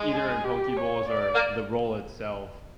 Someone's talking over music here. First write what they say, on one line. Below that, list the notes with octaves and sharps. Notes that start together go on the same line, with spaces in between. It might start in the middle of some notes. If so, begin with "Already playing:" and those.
either in poke bowls or the roll itself,
Already playing: G#3
G#4
G4
C#5
D5
A#3